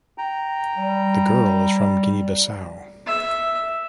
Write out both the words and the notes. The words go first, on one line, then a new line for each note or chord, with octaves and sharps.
The girl is from Guinea-Bissau.
G5 A#5
G3
E5